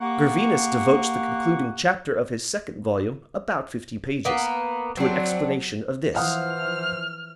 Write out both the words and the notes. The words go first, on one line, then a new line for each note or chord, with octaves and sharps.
Gervinus devotes the concluding chapter of his second volume, about fifty pages, to an explanation of this.
A#3 G4 F#5 C#6
A#3 B3
F#3 C4 D4
E3 F3 C5 F5 F#5 D#6 F6